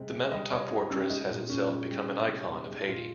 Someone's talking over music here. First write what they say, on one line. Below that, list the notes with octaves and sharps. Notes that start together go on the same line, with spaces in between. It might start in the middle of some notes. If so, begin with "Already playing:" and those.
The mountaintop fortress has itself become an icon of Haiti.
Already playing: C3 G3 G#3
C3
G3 D#5
C3 C#5
C3 D#4
G3 C#4
G#3 D#4
A#2
A#2 C#4
G#3
G3
C3
C3
G3
G#3 D#4
A#2 F4